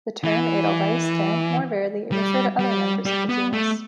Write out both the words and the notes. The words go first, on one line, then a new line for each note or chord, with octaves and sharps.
The term edelweiss can, more rarely, refer to other members of the genus.
E3
G3
G3
G3
B3
A3